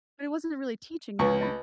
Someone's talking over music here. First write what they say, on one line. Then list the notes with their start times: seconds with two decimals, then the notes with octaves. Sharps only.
But it wasn't a really teaching them.
1.19 C#2 B4 G#5 C#6
1.41 D#5 A5 B5